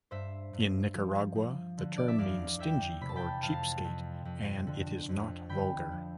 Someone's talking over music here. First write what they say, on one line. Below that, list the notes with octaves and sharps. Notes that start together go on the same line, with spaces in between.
In Nicaragua, the term means "stingy" or "cheapskate" and it is not vulgar.
G2 C5 E5
G2
F3
F3
D3
D5
E5
E2 D5 F5
E2 E5 G5
C3 B5
A5
G5 B5
F2 F5 A5
F2
F2
D3
F2
D3 G5 B5
F3